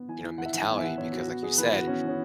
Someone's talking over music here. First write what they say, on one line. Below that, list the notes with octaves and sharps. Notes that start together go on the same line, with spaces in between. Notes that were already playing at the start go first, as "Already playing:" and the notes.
you know, mentality because like you said,
Already playing: B3
E3 G#5
E3
E3 F#5
E5
E3 F#5
B3 G#5
E5
E3 F#5
B3 C#5
E3 F#4
B3 F#4
B3 G#4
E3 B4
B3 F#4
B3 C#4
E3 C#4